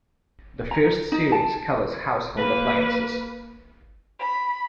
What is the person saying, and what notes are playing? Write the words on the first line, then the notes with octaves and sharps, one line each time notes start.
The first series covers household appliances.
A#5
D#4
A5
A#3 B4
B5